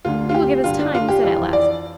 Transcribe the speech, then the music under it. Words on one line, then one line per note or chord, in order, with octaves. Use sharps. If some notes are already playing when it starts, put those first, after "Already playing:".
"You will give us time," he said at last.
D2 D3 F4
F4
G4
G2 D3 F4
D4
F4
G4
F2 E3 F4
D5